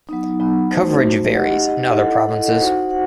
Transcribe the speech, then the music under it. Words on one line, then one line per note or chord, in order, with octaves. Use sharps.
Coverage varies in other provinces.
F#3 B3 D#4
F#3 B3 D#4
A3 D#4 F#4 C5
A3 D#4 F#4 C5
D#4 G4 D#5 F#5
D#4 G4 D#5 F#5
E4 A4 D#5 F#5
E4 A4 D#5 F#5
D#4 F#4 C5 F#5
F#5